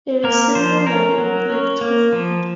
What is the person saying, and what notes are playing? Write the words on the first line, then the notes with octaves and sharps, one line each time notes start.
It is single line electrified.
A#3 A#4
F3 C5
C#4 A#4
F#3
C#4
A#3
F3